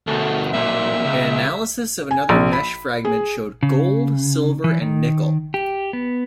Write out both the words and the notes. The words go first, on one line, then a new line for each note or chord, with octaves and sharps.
An analysis of another mesh fragment showed gold, silver, and nickel.
D2 B2 A3
B1 A#2 E5
C#2
G#5
A#1
B5
G#4
C#3
E3
D#3
G4
B3